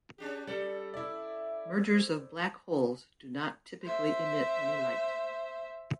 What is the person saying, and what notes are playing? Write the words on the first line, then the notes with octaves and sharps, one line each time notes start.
Mergers of black holes do not typically emit any light.
C#4 D4 G4 G#4
G3 A4 D5
E4 D5 E5
C5
C5 E5